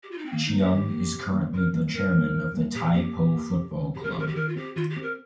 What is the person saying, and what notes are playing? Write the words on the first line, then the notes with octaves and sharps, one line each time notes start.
Cheung is currently the chairman of the Tai Po Football Club.
G4
F4
D#4
C4
D#3 A#3
D#4
A#3
G4
D#3
A#3
C3
D#3 G3 A#3
C3 A#4
D#3 G3 A#3
C3 A#4
G3 A#3
C3
G3 A#3
A#2 G4
A#3 G4
A#2
A#3
C3
D#3 C4
C3 G4
A#4
G4
D#3 C4 A#4
G4
D#3 A#4
F4
C4 G4
D#3 F4
G4
C4
A#4